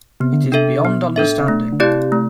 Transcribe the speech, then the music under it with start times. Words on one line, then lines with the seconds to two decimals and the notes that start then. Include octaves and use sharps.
It is beyond understanding.
0.20 C3 B3
0.33 D3
0.44 C3
0.52 D4 A4 E5
0.84 B2 B3
1.16 A2 D4 A4 E5
1.40 C3
1.48 B2 A3
1.72 D3
1.80 C3 C4 E4 G4 D5
2.12 A3